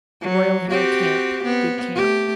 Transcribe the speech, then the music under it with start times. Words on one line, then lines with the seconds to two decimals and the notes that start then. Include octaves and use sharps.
Royal Hill Camp.--Good camp.
0.21 F#3
0.69 C4 F#4 G4
1.44 B3 C4
1.95 A3 G4